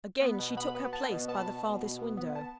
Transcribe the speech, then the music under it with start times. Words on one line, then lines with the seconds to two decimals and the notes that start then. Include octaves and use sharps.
Again she took her place by the farthest window.
0.22 B3
0.39 B2
0.57 B3 B5
0.75 B3
0.93 B3 A5
1.11 B2
1.28 B3 A5
1.46 B2
1.64 B2
1.82 B2
1.99 B3
2.17 B3
2.35 B3 A5